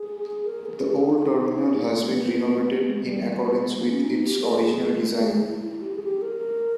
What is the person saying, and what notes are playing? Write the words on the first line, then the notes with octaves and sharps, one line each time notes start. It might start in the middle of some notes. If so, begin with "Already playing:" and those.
The old terminal has been renovated in accordance with its original design.
Already playing: G#4
A#4
G#4
G#4
G4
G#4
D#4
B3
B3
B3
B3
G#3
G3
G3
G#3
A#3
C#4
D#4
G4
G#4
A#4
G#4
A#4
G#4
E4
E4
G4
G#4
G4
A#4